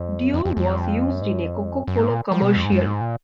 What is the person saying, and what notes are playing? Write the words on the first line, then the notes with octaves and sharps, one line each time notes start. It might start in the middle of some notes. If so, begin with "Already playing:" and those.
"Deo" was used in a Coca-Cola commercial.
Already playing: F2
F#2
F2
F2
F2
F#2
G#2
F#2
F2
F#2
F2
F#2
F#2
G#2
A#2
F3
B2
F2
G#2
F#2
G#2
A#2